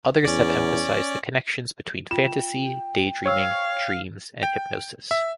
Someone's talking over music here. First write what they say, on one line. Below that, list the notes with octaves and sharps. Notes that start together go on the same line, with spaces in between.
Others have emphasized the connections between fantasy, daydreaming, dreams, and hypnosis.
E2 C#4 D5
F4 G5 E7
C5 C#5 F5 E6
G5
E5